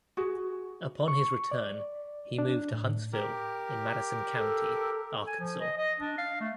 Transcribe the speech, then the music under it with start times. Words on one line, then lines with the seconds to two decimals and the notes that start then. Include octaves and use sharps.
Upon his return he moved to Huntsville in Madison County, Arkansas.
0.17 F#4 G#4
1.08 C#6
1.51 D5
2.38 D4
2.73 A2
3.13 G4 A#4
4.36 A4
5.27 G#5
5.39 F3
5.61 D#5
5.78 D#5
6.00 D4
6.18 F5
6.41 A3